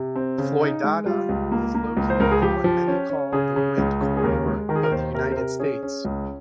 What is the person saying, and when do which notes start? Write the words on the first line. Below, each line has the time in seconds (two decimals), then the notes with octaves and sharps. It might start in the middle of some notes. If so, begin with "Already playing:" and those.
Floydada is located in what many call the wind corridor of the United States.
Already playing: C3
0.15 C4
0.38 C#3
0.60 D#4
0.84 G#3
1.06 G3 F4
1.29 C#2
1.52 A#3
1.74 A#3
1.97 C#2
2.10 C5
2.20 C#2 A#4
2.31 G#4
2.42 F3 G4
2.64 F3
2.88 C#4
3.10 C#4
3.32 C#3 G#4
3.56 C#3
3.78 C#2
4.01 C#3
4.17 G#4
4.24 D#2 A#4
4.46 G#3
4.69 D#3 A#4
4.75 G#4
4.83 A#4
4.91 D#2 C5
5.14 C3 A#4
5.32 C5
5.37 C3 A#4
5.60 C#4 G#4
5.83 C#4
6.05 C#2